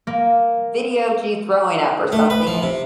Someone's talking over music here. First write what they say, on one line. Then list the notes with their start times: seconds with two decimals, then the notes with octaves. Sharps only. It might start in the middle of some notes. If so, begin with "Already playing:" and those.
videoed you throwing up or something, and
0.07 A#3
2.12 A3
2.30 B4
2.47 F3
2.63 C3